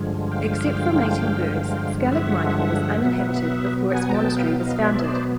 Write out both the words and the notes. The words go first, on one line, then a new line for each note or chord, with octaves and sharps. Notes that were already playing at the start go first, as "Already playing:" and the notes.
Except for mating birds, Skellig Michael was uninhabited before its monastery was founded.
Already playing: G2 D3 F3 G#3
F5 G5
E5 F#5
B2 F#3 B3
F#5 G#5
A#5
G5 A5
F5 G5
D#5 F5
D5 E5
C5 D5